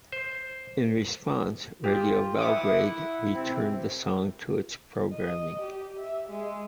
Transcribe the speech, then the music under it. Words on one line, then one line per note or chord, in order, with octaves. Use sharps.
In response, Radio Belgrade returned the song to its programming.
C5
F4 G4
E4 E5 F#5 D6 D#6
C3 C4
D#5
G4
E5
G#3